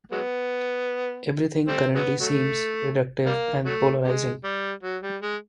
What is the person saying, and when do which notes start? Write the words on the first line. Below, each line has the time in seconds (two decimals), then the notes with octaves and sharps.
Everything currently seems reductive and polarising.
0.11 F#3 G#3 B3
1.68 G3 A3 C4
1.95 F#3 G#3 B3
2.20 F#3 A3
3.26 G3 A#3
3.65 F#3 A3
4.04 C3 G#3
4.44 G3
4.83 F#3
5.03 G3
5.22 G#3